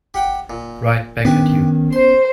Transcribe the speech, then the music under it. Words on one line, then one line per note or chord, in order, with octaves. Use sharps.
Right back at you.
G4 F#5 G5
A#2
D#3 B3 C#4 D4 G4 A5
C5 C6